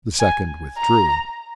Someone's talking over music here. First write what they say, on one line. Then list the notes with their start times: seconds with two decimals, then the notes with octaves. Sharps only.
The second withdrew.
0.20 G#5
0.78 A#5